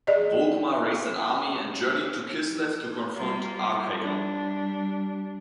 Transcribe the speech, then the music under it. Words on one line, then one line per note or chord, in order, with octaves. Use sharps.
Volkmar raised an army and journeyed to Kislev to confront Archaon.
G#4 D5 D#5
G3 A#3 F4
G3 D4